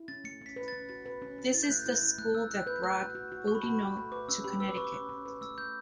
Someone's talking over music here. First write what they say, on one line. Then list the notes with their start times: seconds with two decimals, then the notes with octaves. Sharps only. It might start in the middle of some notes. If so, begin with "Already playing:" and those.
This is the school that brought Boudinot to Connecticut.
Already playing: E4
0.08 C#4 A6
0.24 A3 C#7
0.41 C#4 B6
0.56 B4
0.68 C#4 A6
0.89 F#4 A6
1.06 B4
1.22 C#4
1.38 C#4
1.54 E4 A6
1.63 G6
1.70 A3 F#6
1.79 G6
1.86 E4
2.02 E4
2.18 A3 F#6
2.34 A3 E6
2.51 E4 F#6
2.67 B4 G6
2.84 A3 F#6
2.99 F#4
3.15 F#4
3.32 F#4
3.47 A3 C#6
3.55 B5
3.63 F#4 A5
3.70 B5
3.80 A3
3.97 A3
4.12 B4 D6
4.28 C#4 E6
4.44 G4 B5
4.60 B4 E6
4.69 D6
4.76 B4 C#6
4.84 D6
4.92 C#4
5.09 C#4
5.25 B4
5.41 A3 E6
5.58 A3 G6